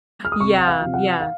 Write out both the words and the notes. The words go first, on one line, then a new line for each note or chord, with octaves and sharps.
Yeah, yeah.
F6
D#6
C2 C#6
F#5
F5
F3
C3
F#5
F5